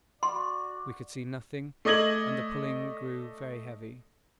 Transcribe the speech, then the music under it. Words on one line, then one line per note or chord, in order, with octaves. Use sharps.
We could see nothing, and the pulling grew very heavy.
F#4 D5 C6
A3 D5 D#5 G#6 F#7